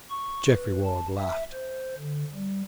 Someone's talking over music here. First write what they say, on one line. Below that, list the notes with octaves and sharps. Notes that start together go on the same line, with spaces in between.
Geoffrey Ward laughed.
C#6
B4
A5
E5
C5
D3
G3